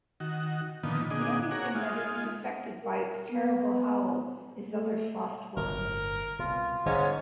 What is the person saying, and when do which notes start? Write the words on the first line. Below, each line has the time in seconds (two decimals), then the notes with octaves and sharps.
The only thing that isn't affected by its terrible howl is other frost worms.
0.20 D#3 F#4
0.83 A#2 D3 D#3 F3 B3 D#4
1.10 A#2 D3 D4 D#4 G#4 D#5
1.51 F#4 G#4 A#4 C#5 D5 F#5
1.75 G#3 D#4 F4
2.83 A#4
3.31 B3
4.69 A3
5.57 G1 A2 C3 A#4
6.39 C2 B2 F4
6.86 G#2 D3 G3 B3 C#4